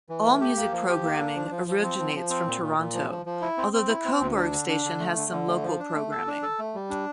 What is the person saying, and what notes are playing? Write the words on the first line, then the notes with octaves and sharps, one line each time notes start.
All music programming originates from Toronto, although the Cobourg station has some local programming.
E3
A3
G4
A#3
F3
G4
A#3
D4
F3
F3
F3
C4
F3
F3
C4
A#2
A#2
A#2
F3
F3
F3
E4
C4
C4
E4
C4
D2
D4
D3
D4
D3
A3
D3
D3
A3
F3
D4
A3
A4
D4
A4
A3
G3
D4